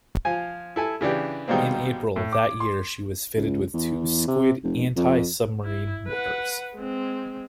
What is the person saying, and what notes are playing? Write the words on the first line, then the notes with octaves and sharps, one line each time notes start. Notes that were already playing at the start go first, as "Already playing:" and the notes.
In April that year she was fitted with two Squid anti-submarine mortars.
F3 F4 G#5
E4 A4 G#5
C#3 E3 D4 G4
B2 D#3 G3 G#3 A#3 C4
A2
D6
C6
C#2
E2
C3
F1
F2
E4
B4 F#5
G#3 C4